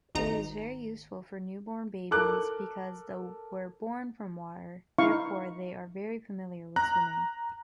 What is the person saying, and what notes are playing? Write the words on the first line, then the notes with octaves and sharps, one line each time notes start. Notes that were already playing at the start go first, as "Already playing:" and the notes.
It is very useful for newborn babies because the were born from water, therefore they are very familiar with swimming.
G#1 D#4 A#5
A4 A#4 D6 F#6
D#4 E4 F5 C#6
A#5 F#6